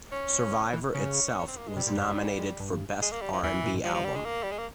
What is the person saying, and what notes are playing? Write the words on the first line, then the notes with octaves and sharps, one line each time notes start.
"Survivor" itself was nominated for Best R and B Album.
C#4
E3
C#3 C#4
C#4
C4
A#3
G#3
C3 G3
A#2
G2
G2
G#2
G#2
G2
G#3
A#3
G3
F3
E2 E3
A#2
G#2
G2 F3
F3
G3
G#3
A#3
G3
G#3
A#3